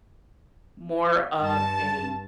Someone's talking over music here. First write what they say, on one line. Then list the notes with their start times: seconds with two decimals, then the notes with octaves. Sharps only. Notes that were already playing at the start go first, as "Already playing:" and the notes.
more of a,
1.41 G2 A5